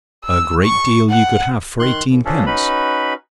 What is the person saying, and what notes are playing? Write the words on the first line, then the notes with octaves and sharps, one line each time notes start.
A great deal you could have for eighteenpence!
E6
C#6
F#5
D#3 C6 F#6
D#2
C#3 F3 C#4 D4 G#4 A4
C#4 D#4 F#4 B4 B5